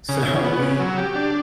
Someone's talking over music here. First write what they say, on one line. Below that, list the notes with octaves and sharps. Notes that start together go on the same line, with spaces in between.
So we
C#3
C#3
B3
C#3
F#3
G4
D4